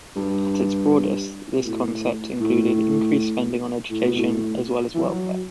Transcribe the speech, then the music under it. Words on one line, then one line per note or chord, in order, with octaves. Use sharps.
At its broadest this concept included increased spending on education as well as welfare.
G2
B2
A2
A2
A2
B2
A2
E3
F#3